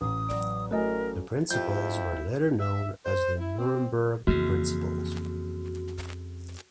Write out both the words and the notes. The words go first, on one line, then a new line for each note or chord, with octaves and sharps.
The principles were later known as the Nuremberg Principles.
A1 D#6
F#3 D5
A2 F#4 A4 A#4 D#5 G#5
F2 F3 E4 F4 G4 G6
E5
C5
E4
C4
F2 C#3 E3 A#3 F#4